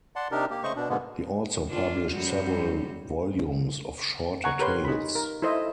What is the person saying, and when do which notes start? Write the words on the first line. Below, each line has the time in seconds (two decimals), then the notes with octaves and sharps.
He also published several volumes of shorter tales.
0.16 D5 F#5 A5 C6
0.32 C3 D4 D#4 G4 A#4
0.50 A#3 G4
0.63 C#3 A3 C5 D#5 C#6
0.76 B2 D4
0.89 G#2 B2 D3 G#3 A#3 B3
1.69 D4 F4
2.11 F#2 G3 F#4
4.44 F#5 G#5 A#5 C#6
4.59 G4 A#4 B4 C#5 C6
4.85 D#4 B5
5.15 A#4
5.42 E4 A4 C5 D#5 E5